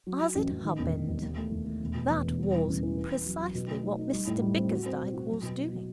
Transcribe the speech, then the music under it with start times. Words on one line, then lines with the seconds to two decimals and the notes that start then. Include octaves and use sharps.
As it happened, that was precisely what Mr Bickersdyke was doing.
0.07 F#3
0.21 F#3
0.35 A1
0.51 A1
0.64 D#3
0.79 E1
0.93 E1
1.08 D#2
1.23 D#2
1.37 A3
1.51 D#2
1.66 A3
1.81 E1
1.95 B2
2.10 E2
2.24 E1
2.39 G3
2.54 E3
2.67 A1
2.83 E3
2.97 B3
3.11 B3
3.25 F#3
3.40 F#3
3.55 B2
3.69 A3
3.83 D#4
3.99 D#4
4.13 G3
4.27 A2
4.42 G3
4.56 C4
4.71 F#4
4.86 C4
5.00 B2
5.14 F#4
5.28 F#3
5.43 B2
5.58 B3
5.72 F#3